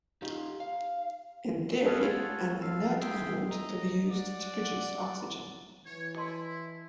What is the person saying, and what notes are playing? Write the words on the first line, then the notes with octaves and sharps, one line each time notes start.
In theory an inert anode could be used to produce oxygen.
D#4 F4 G4
F5
C#4 G#4 A4 B4 F5 A5
F4 F#4 A4 C#5
A4 F5
G#4 E5 G5 C6
D#5 A#5
D5 F#5
E3 C#5
E4 D#5 A5 C6